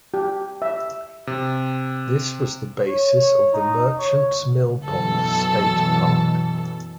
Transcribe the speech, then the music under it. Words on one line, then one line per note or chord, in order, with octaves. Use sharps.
This was the basis of the Merchants Millpond State Park.
G4
E5
C3
C#5
D#4
C#5
F#2 B2 E3 A4